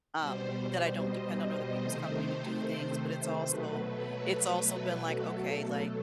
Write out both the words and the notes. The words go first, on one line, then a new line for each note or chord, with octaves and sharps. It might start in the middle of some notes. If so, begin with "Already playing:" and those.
um, that I don't depend on other people's company to do things, but it's also it's also been like, "Okay." Like,
B2 G3 C5
C5
D#5
C3 D#3 A3 C5
C5
C5
B2 F#3 A3 B4
B2 F#3 A3 A4